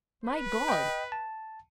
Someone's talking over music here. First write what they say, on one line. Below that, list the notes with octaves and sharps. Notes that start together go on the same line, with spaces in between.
My God!
B4
D#5 G5
A5